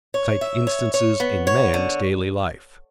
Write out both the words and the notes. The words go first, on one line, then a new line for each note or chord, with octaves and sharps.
Cite instances in man's daily life.
C#5
E5
C#5
C#5
B3
C#5
D3